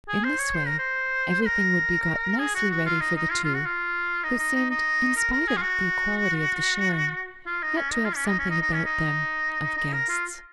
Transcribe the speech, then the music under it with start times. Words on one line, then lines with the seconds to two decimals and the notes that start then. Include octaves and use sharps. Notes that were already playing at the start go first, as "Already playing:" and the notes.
In this way everything would be got nicely ready for the two who seemed, in spite of the equality of the sharing, yet to have something about them of guests.
0.09 G#4
0.24 C5
0.39 C#5
0.54 C5
0.68 A#4
0.79 C5
1.41 C5
1.46 A#4
2.39 G#4
2.55 F#4
2.71 F#4
2.86 F4
3.01 D#4
3.16 D#4
3.31 F4
3.44 F4
3.55 F#4
3.66 F4
4.24 D#4
4.39 D#4
4.55 D#4
4.71 D#4
5.16 A#4
5.32 A#4
5.47 G#4
5.57 F4
5.62 F#4
7.46 F4
7.63 D#4
7.77 C#4
7.93 D#4
8.05 F4
8.16 C#4
8.28 D#4
8.39 C#4
8.50 D#4
8.62 D#4
8.74 C#4
8.85 D#4
9.77 D#4
9.93 A#4
10.09 F4